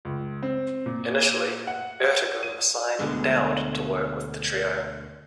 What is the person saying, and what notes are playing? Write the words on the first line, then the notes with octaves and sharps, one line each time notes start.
Initially, Ertegun assigned Dowd to work with the trio.
C#2
C4
A#2
F#5
D#7
D2 B2 D3 G#3